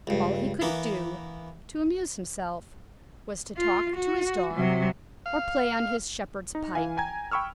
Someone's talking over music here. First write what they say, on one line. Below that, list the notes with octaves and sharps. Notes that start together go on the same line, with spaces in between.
All he could do to amuse himself was to talk to his dog or play on his shepherd's pipe.
C#2 G2
E3 A#3 B3
F4
F#4
C3 F#3
F5
D#4
E3 F5 G#5
G5 G#5 A#5 G#6
G5 B5 C#6 E6 F6